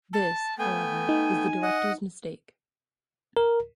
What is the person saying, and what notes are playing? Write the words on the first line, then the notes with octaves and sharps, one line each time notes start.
This, however, is the director's mistake.
A5
A3 B3 G5 G#5
D#4
D#5 F#5
A#4